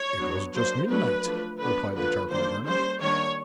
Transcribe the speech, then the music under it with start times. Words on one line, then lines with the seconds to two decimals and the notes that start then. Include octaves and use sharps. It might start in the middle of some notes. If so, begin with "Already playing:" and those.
"It was just midnight," replied the charcoal burner.
Already playing: C#5
0.19 F#3 B3 D4
0.54 F#3 A#3 D4 C5
0.90 F#3 A3 D4 B4
1.25 F3 A3 D4
1.60 D3 F#3 B3 D4 B4
1.95 D3 F3 A#3 B4
2.30 D#3 G3 A#3 D4 C5
2.66 G3 A#3 C#4 C5
3.01 D#3 G3 A#3 D4 C#5